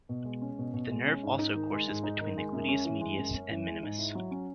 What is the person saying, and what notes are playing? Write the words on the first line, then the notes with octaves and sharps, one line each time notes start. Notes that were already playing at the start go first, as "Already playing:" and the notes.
The nerve also courses between the gluteus medius and minimus.
B2
G#3
C#4
B2
B2
G#3
C#4
G#2
D#4
D#3
G#3
G#2
D#4
D#3
G#3
F#2
C#4
E3
G#3
F#2
C#4
E3
G#3
G#2
E4
F#3
C#4